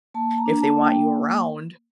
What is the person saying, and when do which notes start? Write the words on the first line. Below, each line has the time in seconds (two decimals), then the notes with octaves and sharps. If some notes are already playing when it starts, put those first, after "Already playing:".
if they want you around,
0.14 A#3 A5
0.38 A#5
0.46 D4
0.61 A5
0.77 A#3
0.85 G5